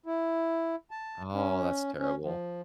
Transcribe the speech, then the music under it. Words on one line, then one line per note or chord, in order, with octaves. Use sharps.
Oh, that's terrible.
E4
A5
C#4
C#4
F3